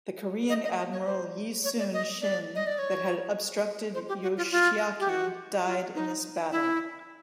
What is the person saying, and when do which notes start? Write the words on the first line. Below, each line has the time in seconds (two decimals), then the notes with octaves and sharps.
The Korean admiral Yi Soon Shin that had obstructed Yoshiaki died in this battle.
0.49 D#5
0.64 D#5
0.78 D#5
0.92 C#5
1.07 C5
1.64 C#5
1.79 D5
1.93 D#5
2.22 D5
2.55 D#5
2.67 D5
2.79 C#5
3.94 C5
4.08 G4
4.23 F#4
4.37 F4
4.51 F4
5.00 G4
5.09 F#4
5.66 F4
5.95 D#4
6.52 E4